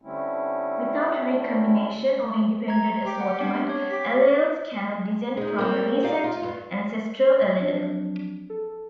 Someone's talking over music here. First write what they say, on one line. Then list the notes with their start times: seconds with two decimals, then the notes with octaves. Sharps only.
Without recombination or independent assortment alleles cannot descend from a recent ancestral allele.
0.02 D3 G3 A3 C4 C#4 E4
2.68 A#5 G#6
3.04 G4
3.21 F#5
3.41 B3 C4 D4
3.69 C#5
3.90 G4 B6
5.37 G#3 D#4
5.59 A#3 C4 C#5
6.03 D#4 G4 D5 F5
6.24 F4
6.42 G2 F4
7.58 F3 F#3 C4 D4
8.50 A4